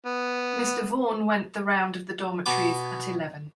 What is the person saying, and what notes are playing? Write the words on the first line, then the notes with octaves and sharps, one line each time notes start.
Mr. Vaughan went the round of the dormitories at eleven.
B3
B2 B3 D6